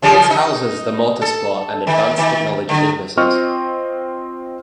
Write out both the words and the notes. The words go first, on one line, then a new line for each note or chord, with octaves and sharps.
This houses the Motorsport and Advanced Technology businesses.
C#3 F3 G3
D#4
A4
D#3
D#3
D3
C4 F4 D#5 C#6 F6